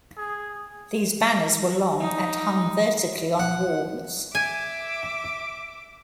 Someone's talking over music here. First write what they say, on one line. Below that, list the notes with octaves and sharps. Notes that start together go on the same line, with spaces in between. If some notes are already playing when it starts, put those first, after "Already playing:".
These banners were long and hung vertically on walls.
G#4
D#4
F#5
E5 G#5 D6